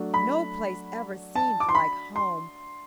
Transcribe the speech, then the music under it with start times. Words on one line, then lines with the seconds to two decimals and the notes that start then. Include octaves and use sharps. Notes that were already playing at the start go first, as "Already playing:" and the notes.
No place ever seemed like home.
Already playing: F#3 A3 D4
0.14 B5
1.36 A5
1.60 D6
1.69 C6
1.75 B5
2.16 C6